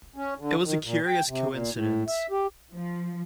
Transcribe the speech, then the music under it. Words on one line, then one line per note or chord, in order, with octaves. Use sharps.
It was a curious coincidence.
C#4
D3
D#3
A#2
G5
C3
A#2
A2
E5
G4
F3